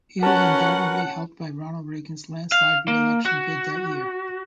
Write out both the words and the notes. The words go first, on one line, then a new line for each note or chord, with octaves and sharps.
He was undoubtedly helped by Ronald Reagan's landslide reelection bid that year.
C#4 F#4 A#4 B4 F#5 A5
F5
A#3
F#4